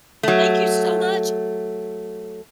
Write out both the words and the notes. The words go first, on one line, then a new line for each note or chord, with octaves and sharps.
thank you so much,
F#3 A3